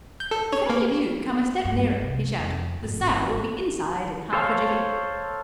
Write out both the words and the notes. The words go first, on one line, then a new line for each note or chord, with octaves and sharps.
"If any of you come a step nearer," he shouted, "the sow will be inside in half a jiffy."
G6
A4
C#5
A#3
G2
C2
F2
G#1
G#1
A4 C5 C#5 F5